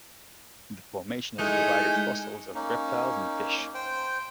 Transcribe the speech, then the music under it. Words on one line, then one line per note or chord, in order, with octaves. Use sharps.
The formation has provided fossils of reptiles and fish.
G#3 A3 D#4 E4
A#3 C#4 D#4
C5 G5